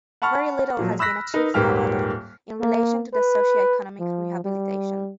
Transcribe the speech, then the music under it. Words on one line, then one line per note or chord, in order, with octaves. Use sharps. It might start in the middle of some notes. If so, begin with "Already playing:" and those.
Very little has been achieved however, in relation to the socio-economic rehabilitation.
F#5 A5 B5 C#6 F6
A#2 F3 F#3
B5 E6 F#6 A#6 B6
D#4 A#4 B4
D#1 G#2 A#3 G4 B4 F6
A#3
B4
F3
G3